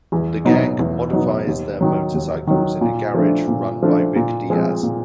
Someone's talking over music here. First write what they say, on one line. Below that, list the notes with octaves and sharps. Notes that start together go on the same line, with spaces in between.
The gang modifies their motorcycles in a garage run by Vic Diaz.
E2
B2 F#3 B3 D#4
E2
B2 F#3 B3 D#4
D#2
D#3 F#3
D#2
D#3 F#3
A#2
F3 A3 D4
A#2
F3 A3 D4
A#2
F3 G#3 C4
A#2